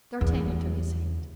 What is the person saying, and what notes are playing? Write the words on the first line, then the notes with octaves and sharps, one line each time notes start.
D'Artagnan took his hand.
E2